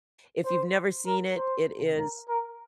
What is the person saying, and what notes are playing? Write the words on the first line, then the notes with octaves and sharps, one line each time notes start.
if you've never seen it, it is
C5
A#4
C5
A#4
A#4